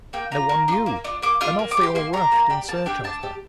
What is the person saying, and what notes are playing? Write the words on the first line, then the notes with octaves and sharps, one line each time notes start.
No one knew, and off they all rushed in search of her.
A#3 G5
D4 F4 A#5
A#3
D4
F4
A#3
D4 F4
A#3 D6
D4 F4 F6
A#3
D6
D4
G4 C6
A#3 C6
D4 G4 A#5
A#3
D4 G4
A#3 A5
D4 G4 G5
D4 A5
G4